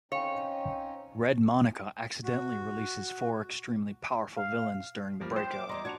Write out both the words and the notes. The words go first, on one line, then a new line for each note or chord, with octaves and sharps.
Red Monika accidentally releases four extremely powerful villains during the breakout.
C4 C#4 D#4 C#5 F5 G5
F#4
F5
F3 G3 A#3
C5 G5 D#6 C7 E7
D6
E2 G3 D#5 A#5 C6
D4 F#4 G#6 C#7 F7